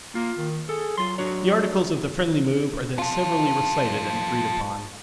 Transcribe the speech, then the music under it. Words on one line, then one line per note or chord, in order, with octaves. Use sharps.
The articles of the friendly move are then severally recited and agreed upon.
A#3 F4
D#3
G#4 A4
F#3 F4 C6
D4 F#4 C#5
F4 A4